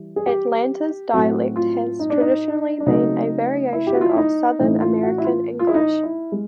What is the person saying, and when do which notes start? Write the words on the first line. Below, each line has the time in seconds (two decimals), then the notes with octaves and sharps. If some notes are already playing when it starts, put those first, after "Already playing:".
Atlanta's dialect has traditionally been a variation of Southern American English.
Already playing: E3 G3
0.16 G#4
0.26 G4
1.13 A2 F#3 A3 C4 F#4
1.56 F4
1.99 D#4
2.10 D4
2.20 D#4
2.80 D4
2.86 C#3 F#3 A3 C4 D#4
3.73 E4
3.87 G4
3.94 F#4
4.01 F4
4.09 E4
4.16 D#4
4.59 A2 E3 A3 C#4 D#4
4.81 F4
5.03 F#4
5.18 E4
5.25 F4
5.59 F4
5.67 E4
5.74 D#4
6.03 E4
6.32 G#3